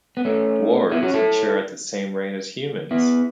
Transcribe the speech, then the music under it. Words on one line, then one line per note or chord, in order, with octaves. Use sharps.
Dwarves mature at the same rate as humans.
B3
A3 C#4
B3 E4
C#4 F#4
E4 A4
B3 E4